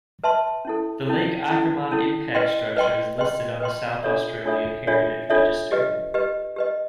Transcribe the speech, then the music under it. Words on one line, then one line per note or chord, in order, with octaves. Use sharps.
The Lake Acraman Impact Structure is listed on the South Australian Heritage Register.
B4 E5 A5 C6
C#4 E4 A4
C#4 E4 A4
C#4 E4 A4
C#4 E4 A4
B4 D#5 G5 C6
B4 D#5 G5 C6
B4 D#5 G5 C6
B4 D#5 G5 C6
D4 F4 A4 C#5 E5
D4 F4 A4 C#5 E5
D4 F4 A4 C#5 E5
D4 F4 A4 C#5 E5
G4 B4 D#5
G4 B4 D#5
G4 B4 D#5